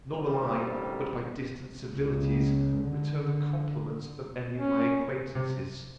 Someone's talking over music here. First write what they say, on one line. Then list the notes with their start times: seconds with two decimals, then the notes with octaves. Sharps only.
Nor will I, but by distant civilities, return the compliments of any of my acquaintances.
0.11 A1 D2 G3 C4 A#4
1.87 C#2
2.79 D3
4.58 C#4
5.35 C3